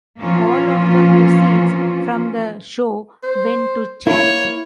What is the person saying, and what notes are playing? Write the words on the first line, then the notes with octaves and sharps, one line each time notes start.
All of the proceeds from the show went to charity.
A#2 E3 F3 A#3 C#4 F4
C5
A#3 E4 C#5